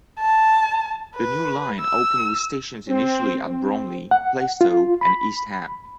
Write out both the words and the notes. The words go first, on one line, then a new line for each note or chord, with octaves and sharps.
The new line opened with stations initially at Bromley, Plaistow and East Ham.
A5
B4
E6
C4
C4
F#5
F4
B5